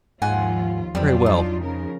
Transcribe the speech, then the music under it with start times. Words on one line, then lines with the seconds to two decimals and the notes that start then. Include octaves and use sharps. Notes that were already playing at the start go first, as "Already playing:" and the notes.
Very well.
0.22 D#2 G#2 F3 F4 F#5 G#5
0.95 F2 D3 F#3 G3 D4 F4
1.26 D#4
1.60 C#3 F3 A#4